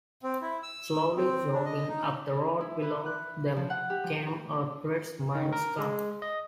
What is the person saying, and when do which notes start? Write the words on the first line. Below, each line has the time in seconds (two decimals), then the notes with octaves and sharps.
Slowly jogging up the road below them came a tradesman's cart.
0.23 C4
0.41 E4
0.63 E6
1.16 C4
1.53 D4
1.65 D#5
1.89 D#4
2.61 E4
2.82 B4
3.06 F#6
3.57 F3
3.70 F#5
3.90 G4
4.04 F3
5.35 D#3
5.53 A#4
5.79 G#3
6.22 D#5